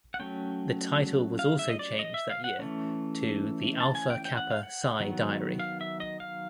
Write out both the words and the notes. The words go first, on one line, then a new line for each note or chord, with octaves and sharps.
The title was also changed that year to "The Alpha Kappa Psi Diary".
F#5
F#3 A3 C#4 G5
F5
E5
D#5
D5
D#5
E5
F5
F#5
E3 A3 C#4
A5
G#5
G5
G5
F#5
F5
F#5
D#3 F#3 B3
F5
E5
D#5
F5